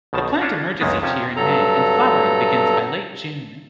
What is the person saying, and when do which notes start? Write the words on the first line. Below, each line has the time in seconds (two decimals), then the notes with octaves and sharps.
The plant emerges each year in May and flowering begins by late June.
0.13 B1 B2 D#3 A5
0.41 C#4 D4 F4 C#5 A5
0.81 C#2 F#2 D#3 G#3 A#3 B3
1.02 F2 C3 F3 C#4 A5
1.36 G2 F#3 A4 A#5